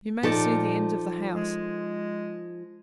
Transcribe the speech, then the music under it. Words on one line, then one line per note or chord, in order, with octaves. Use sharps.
You may see the end of the house.
A#2 F3 D#4 A4 A5 D6
G#3